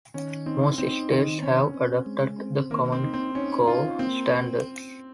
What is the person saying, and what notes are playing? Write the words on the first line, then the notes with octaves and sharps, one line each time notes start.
Most states have adopted the Common Core standards.
D#3 C#4
C4 D#4
C4 D#4
D#3
C4 C#4
C4
G#3
C4
D#3 A#3
C4
D#4
C4
C#4 D#4
D#4 F4
A#3 C4